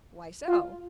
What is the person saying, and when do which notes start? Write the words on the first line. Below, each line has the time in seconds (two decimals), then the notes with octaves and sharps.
"Why so?"
0.48 F4